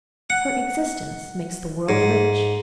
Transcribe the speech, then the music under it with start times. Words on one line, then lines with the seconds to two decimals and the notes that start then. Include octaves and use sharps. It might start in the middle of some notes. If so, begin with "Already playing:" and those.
Her existence makes the world rich.
0.30 F#5
1.89 G#2